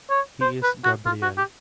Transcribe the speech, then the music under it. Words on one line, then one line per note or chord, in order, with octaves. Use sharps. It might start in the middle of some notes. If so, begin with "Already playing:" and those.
He is Gabriel.
C#5
C5
B4
F#4
F4
F#4
G4